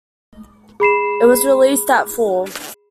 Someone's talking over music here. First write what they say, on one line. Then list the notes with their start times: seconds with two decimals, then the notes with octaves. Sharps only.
It was released that fall.
0.80 G#4 B5 C7 E7